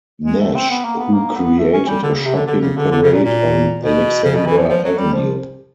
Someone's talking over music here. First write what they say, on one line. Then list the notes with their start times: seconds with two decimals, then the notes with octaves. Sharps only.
Nash, who created a shopping parade on Alexandra Avenue.
0.24 G#3
0.40 A3
0.55 C4
0.70 B3
0.84 A#3
0.98 B3
1.13 A#3
1.36 B3
1.58 A3
1.73 C#4
1.88 G3
2.03 D3
2.14 C#3
2.25 C3
2.35 D3
2.47 D3
2.61 C#3
2.77 D3
2.91 D3
3.03 C#3
3.13 A#2
3.24 A#2
3.80 B2
4.24 C#3
4.35 B2
4.46 E3
4.58 F3
4.69 F3
4.84 F#3
4.98 G3
5.13 F3